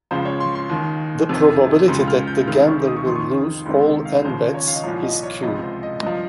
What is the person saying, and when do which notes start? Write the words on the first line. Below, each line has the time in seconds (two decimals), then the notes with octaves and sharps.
The probability that the gambler will lose all "n" bets is "q".
0.11 C#2 C#3 F3 C5
0.25 C#5
0.40 C6
0.55 C6
0.70 D#2 D#3
1.29 F2 C3 D#3
1.88 C#2 C#3 F3 C6
2.08 F6
2.27 G6
2.48 C#2 C3 D#3 F6
2.68 C#6
2.87 D#6
2.97 C#6
3.06 F2 D#3 C6
3.15 C#6
3.66 C#2 C3 D#3 C6
4.05 F5
4.25 D#2 C#3 F3 C5
4.54 C#5
4.68 F5
4.75 D#5
4.84 C2 A#2 F3 C#5
5.03 D#5
5.23 C#5
5.43 C#2 C3 F3 D#5
5.63 C5
5.83 D#5
6.02 G2 F3 D#5